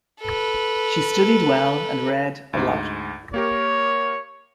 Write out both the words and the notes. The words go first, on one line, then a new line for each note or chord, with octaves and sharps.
She studied well and read a lot.
A4 B4
D2 G#2
A#3 G4 A#4 C#5